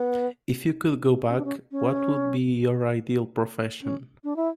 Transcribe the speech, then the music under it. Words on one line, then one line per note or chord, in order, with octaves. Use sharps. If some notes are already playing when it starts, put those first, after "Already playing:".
If you could go back, what would be your ideal profession?
Already playing: B3
C#4
D4
C#4
C#4
C#4
D4
E4